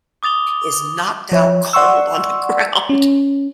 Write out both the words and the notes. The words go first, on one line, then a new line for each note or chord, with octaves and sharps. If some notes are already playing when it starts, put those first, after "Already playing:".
is knocked out cold on the ground.
D6 D#6 A6 F7 G7
F3 C#5 E5
D5 F#5 C6 C#6 E6
C#4